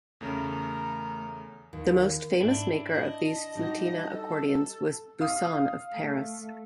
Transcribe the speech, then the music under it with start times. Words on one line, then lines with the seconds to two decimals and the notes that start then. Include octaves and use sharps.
The most famous maker of these "flutina" accordions was Busson of Paris.
0.21 E2 C#3 A3 A#4
1.73 D#2
2.41 G#2 D4 E4
2.93 D#5 A5
3.55 G3 D#4 F#4
4.11 A4
5.21 F5 D#6
5.93 A3